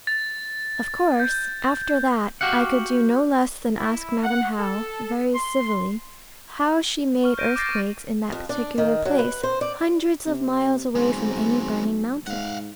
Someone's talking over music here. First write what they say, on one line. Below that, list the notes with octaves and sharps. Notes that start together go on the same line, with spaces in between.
Of course after that I could do no less than ask Madam How, very civilly, how she made earthquakes in that particular place, hundreds of miles away from any burning mountain?
A6
G6
F#4 G4 F5 F#5
E4
F#5
A4
C6
C#6 F6
F6 G6 A#6 D7 D#7
D6 F6 G6 A6 A#6 C7
F2
D4
D#3
F#3
B4
C5
D5
C3
B1 G#3 C4
G#2 F5 F#5